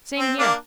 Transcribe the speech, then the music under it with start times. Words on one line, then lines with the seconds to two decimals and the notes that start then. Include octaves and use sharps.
Same here.
0.19 C4
0.39 A#3 D4